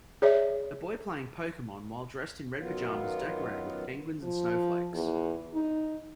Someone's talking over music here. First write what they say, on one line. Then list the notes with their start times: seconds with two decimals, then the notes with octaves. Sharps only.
A boy playing Pokemon while dressed in red pajamas decorated with penguins and snowflakes.
0.22 G#4 C#5 D5 E5
2.59 F#2 D#3 F#3 B3 F4
4.23 F3
4.94 E2
5.55 D#4